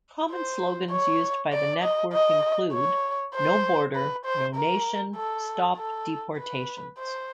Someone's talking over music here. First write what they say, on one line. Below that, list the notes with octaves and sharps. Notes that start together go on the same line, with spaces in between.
Common slogans used by the Network include; No Border, No Nation, Stop Deportations!
C5
C#5
D5
D#5
D#5
C#5
C5
B4
C5
A#4
A4
A4
B4
C5